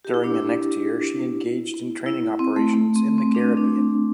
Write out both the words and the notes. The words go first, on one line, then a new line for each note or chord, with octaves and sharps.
During the next year she engaged in training operations in the Caribbean.
G4
E4
D4
E4
E4
C4
A3
A3
C4
C4
D4
C4
D4